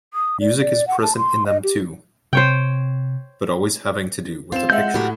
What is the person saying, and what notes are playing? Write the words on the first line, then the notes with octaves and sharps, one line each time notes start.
Music is present in them, too, but always having to do with a picture.
D#6
D5
D5
F#5
A5
C6
D#5
G4
C3 C5 C#5 G5
C4 F4 E7
G#3 E5 F#5 G6
A2 F#4 G4 A#4